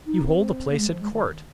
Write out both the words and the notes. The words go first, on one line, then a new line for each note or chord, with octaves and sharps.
You hold a place at court.
D#4
C4
A#3
G#3
F3
G#3
D#3